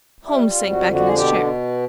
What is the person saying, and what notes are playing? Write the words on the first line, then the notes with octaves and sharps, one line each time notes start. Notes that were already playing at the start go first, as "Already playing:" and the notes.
Holmes sank back in his chair.
G3 E4
F4
F2
F#4
D3
F#4
G#4
B2 G4